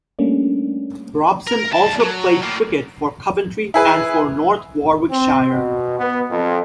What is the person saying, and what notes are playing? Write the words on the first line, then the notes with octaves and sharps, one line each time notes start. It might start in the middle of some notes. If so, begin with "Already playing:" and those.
Robson also played cricket for Coventry and for North Warwickshire.
G3 A3 A#3 C#4 D4
A#4
D2 A5
F#3
A2 A#3
E4 G#4 B4
C4
B2
B3
F2